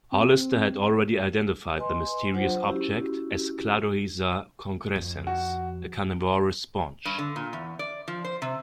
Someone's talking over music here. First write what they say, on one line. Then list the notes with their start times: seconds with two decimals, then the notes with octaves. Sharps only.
Hollister had already identified the mysterious object as "Cladorhiza concrescens", a carnivorous sponge.
0.12 C4
1.77 B4 D#5 G#5 C6
2.34 F#3 D4 F4 C5 F#5
2.65 C#4 E4 F#4 G4
4.96 F2
5.27 F#4
7.05 G2
7.18 D3
7.36 A#2
7.53 E2
7.79 D5
8.08 F3
8.24 C5
8.42 C3